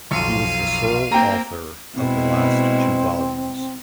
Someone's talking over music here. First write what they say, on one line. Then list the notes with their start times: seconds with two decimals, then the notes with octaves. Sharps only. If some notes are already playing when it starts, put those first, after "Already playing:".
He was the sole author of the last two volumes.
0.11 B1 F2 F5 C#7 D#7
1.12 A#3 C4 G5 A#5
1.95 B2 G#3 C4 E4